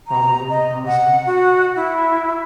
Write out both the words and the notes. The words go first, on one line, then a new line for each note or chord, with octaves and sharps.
Probably, honestly.
A#5
D#5
F#5
F#4
E4